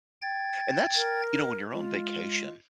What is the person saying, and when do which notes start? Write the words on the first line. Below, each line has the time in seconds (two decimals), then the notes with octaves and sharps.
And that's you know, when you're on vacation
0.22 G5 G#6 A6
0.96 A#4
1.72 G#3 F4